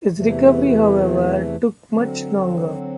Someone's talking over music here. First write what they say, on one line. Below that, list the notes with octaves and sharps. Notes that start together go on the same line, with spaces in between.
His recovery however took much longer.
E2 C3 E3 A3
D3 F#3 C4